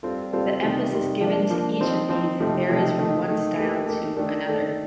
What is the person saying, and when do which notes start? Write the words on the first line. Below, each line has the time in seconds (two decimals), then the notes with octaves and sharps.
The emphasis given to each of these varies from one style to another.
0.03 G3 C4 F4 A4
0.33 G3 C4 F4 A4
0.63 C3 D#3 G3
0.91 C3 D#3 G3
1.21 F3 A#3 D4
1.50 F3 A#3 D4
1.80 F3 C4 D#4
2.09 F3 C4 D#4
2.39 C3 F3 A3 D#4
2.69 C3 F3 A3 D#4
2.98 D#3 A3 D#4
3.28 D#3 A3 D#4
3.57 A3 D#4 G4 A#4
3.86 A3 D#4 G4 A#4
4.16 D#3 A3 D4 A4
4.46 D#3 A3 D4 A4